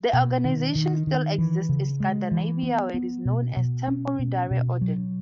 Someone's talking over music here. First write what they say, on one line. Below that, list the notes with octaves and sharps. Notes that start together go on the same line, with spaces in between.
The organization still exists in Scandinavia, where it is known as Tempel Riddare Orden.
B2
D#3
D#3
D#3
E3
C#3
G#3
E3
B3
B3
B2
B2
C#4
B2
B2
F#3